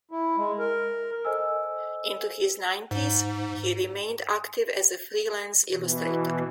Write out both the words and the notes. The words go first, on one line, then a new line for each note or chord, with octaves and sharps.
Into his nineties, he remained active as a freelance illustrator.
E4
G#3
A#4
A4 C5 D#5 G#5 E6
G#2
B2 E3